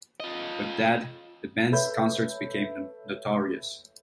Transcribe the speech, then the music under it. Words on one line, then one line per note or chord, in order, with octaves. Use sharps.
With Dead, the band's concerts became notorious.
F4 D#5
A4 B4 C#5 E5 B5 G6